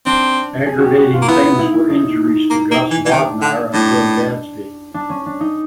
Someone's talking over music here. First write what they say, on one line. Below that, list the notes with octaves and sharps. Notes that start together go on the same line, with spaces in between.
Aggravating things were injuries to Gus Bodnar and Bill Gadsby.
C4 D4
G#4
F#4 G4
F#4
F4
A#3
B3 E4
D#4
E4
E4
D#4
A#3
A#3
E3
E3
D#3 D4
D3
A2 D4
D4
C#4
D4
D#4